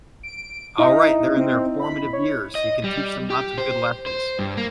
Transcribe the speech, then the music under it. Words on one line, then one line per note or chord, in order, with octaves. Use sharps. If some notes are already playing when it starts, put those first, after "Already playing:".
All right, they're in their formative years, you can teach them lots of good lessons.
D7
D#4 E4 D#5 E5
C4
B5
C#5
D#5
G3
G4
C5
C5
G2
A#3